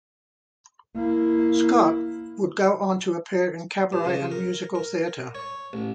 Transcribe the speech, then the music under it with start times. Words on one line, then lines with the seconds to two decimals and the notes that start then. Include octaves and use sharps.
Scott would go on to appear in cabaret and musical theatre.
0.96 A#3 E4
3.92 G2
4.05 C#3
4.31 A#4
4.75 A#4
5.35 C#5
5.73 A1